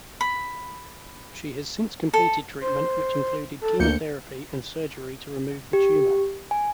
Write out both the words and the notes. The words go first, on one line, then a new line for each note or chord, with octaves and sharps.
She has since completed treatment, which included chemotherapy and surgery to remove the tumor.
B5
A4
C5
A4
D2 A#3 G6 C#7
G4
G#5